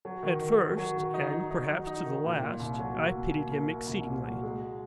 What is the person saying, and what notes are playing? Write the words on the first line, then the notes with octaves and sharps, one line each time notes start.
At first, and perhaps to the last, I pitied him exceedingly.
F#3
D#3
D#3
D#3
F#3
D#3
D#4
D#4
D#4
F#3
D#4
D#3
A#2
A#2
C2
F#3
A#3
A#3
A#3
A#3
A#3
C2
A#2
F#3
G#3